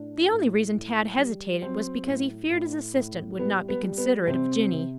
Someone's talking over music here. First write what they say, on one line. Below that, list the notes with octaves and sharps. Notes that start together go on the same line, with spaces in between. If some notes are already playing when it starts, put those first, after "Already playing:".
The only reason Tad hesitated was because he feared his assistant would not be considerate of Jinny.
Already playing: A2 D4
A2
A2
G3
F#3 C4
A2
A2
A2
G3 B3
B3
G3
B3
C3 C4
C3